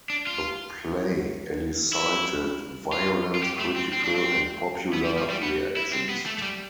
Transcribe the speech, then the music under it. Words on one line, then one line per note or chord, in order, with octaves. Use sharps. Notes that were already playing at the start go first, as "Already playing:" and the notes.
The play elicited violent critical and popular reactions.
D4
F4
E4
F4
F4
G4
A3
C4
C4
D4
C4
B3
G3
F3
G3
B3
E4
C4
B3
A3
A3
G3